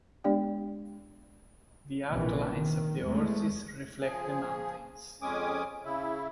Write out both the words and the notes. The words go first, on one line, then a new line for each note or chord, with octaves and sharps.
The outlines of the horses reflect the mountains.
G#3 B3 D4 G4 D5 G5
A#1 C3 E3
D#3
E2 G#3 A3
F3 G#4
F2 G#3 C#4 G#5 D6 D#6
C#3 E4